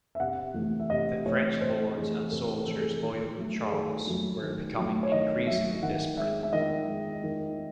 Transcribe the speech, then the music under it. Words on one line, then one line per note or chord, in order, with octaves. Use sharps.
The French lords and soldiers loyal to Charles were becoming increasingly desperate.
E5
C3 F#5
E3 A3
E5
C3 D#5
E3 A3 C#5
C3 C5
E3 A3 G#4
C3 A4
E3 A3 A4
G#4
A4
D#3
F#3 A3
G#4
D#3 A4
F#3 A3
D#3
F#3 A3
C#5
D#3 D#5
F#3 A3 E5
D#3 F#5
G#3 E5
E5
D#3 D#5
G#3
D#3